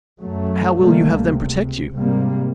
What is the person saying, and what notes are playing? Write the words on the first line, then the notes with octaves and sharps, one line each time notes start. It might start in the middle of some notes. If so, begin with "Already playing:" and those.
How will you have them protect you?
F#2 F#3 A3
C3 D#3 G3 A3 A#3
C#2 C3
G#2 C3 G3 A#3